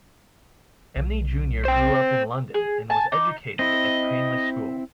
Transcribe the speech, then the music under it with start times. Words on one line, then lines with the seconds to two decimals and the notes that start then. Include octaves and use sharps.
Emney junior grew up in London and was educated at Cranleigh School.
0.96 B1
1.65 C5 G5
2.54 G#4
2.90 G#5 A5
3.12 D#4 D6
3.59 C4 E4 D#5